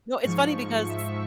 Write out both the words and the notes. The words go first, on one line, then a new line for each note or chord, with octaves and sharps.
No, it's funny because
G#2 F3 C#6
E5